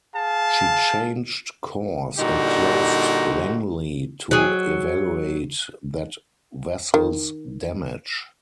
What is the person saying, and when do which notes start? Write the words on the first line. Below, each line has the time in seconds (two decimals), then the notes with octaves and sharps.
She changed course and closed "Langley" to evaluate that vessel's damage.
0.15 G#4 F5 A5
2.19 A#2 D3 G3 D#4 F#4
4.31 F#3 G#4
6.94 D#3